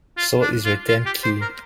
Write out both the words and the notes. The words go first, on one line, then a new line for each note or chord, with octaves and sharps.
So is the term "key".
F4
D4
F4
F4
G4
C5
A#4